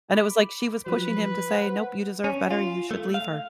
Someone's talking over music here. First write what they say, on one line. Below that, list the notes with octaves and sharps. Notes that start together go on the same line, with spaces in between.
And it was, like, she was pushing him to say, "Nope. You deserve better. You should leave her."
B5 D6
F3 F#3 B4
C5 F#5
C#4
F4
A3
F5